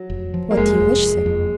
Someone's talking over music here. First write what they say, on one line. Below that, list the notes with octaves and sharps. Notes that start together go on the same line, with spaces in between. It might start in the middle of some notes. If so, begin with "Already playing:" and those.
"What do you wish, sir?"
Already playing: F#3
F1
F3
A#3
F1 G#3
F1
F2
F2